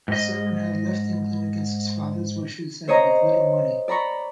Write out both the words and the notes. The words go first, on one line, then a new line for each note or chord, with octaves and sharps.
Severn had left England against his father's wishes and with little money.
G#2 D#5
C5 C#5 D#5 A#5
D5 A#5 B5 C#6